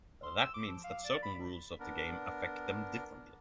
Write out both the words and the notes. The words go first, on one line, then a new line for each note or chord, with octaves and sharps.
That means that certain rules of the game affect them differently.
C6
E6
D6
F3
F5
D5
B5
B3 D4 A#4